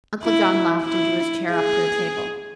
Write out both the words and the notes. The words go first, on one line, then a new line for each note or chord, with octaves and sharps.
Uncle John laughed and drew his chair up to the table.
E4
E4
G#4